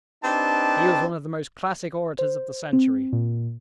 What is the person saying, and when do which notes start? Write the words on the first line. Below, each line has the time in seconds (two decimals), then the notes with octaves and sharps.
He was one of the most classic orators of the century.
0.24 C4 D4 D#4 G4 B4 A5
2.19 C5
2.73 C4
3.13 A#2